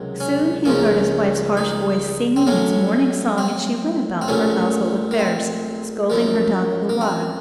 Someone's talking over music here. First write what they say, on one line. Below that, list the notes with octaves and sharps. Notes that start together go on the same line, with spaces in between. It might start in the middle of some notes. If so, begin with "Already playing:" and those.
Soon he heard his wife's harsh voice singing its morning song as she went about her household affairs, scolding her daughter the while.
Already playing: C#2 C3 D#3 F#3
C#4
C#2 C#3 F3 A#3 C#4
D#4
C4
A2 F#3 A3 C#4
C4
C4
A#1 A#2 A3 C#4
A#3
C4
F#2 F3 A#3
A#3
C4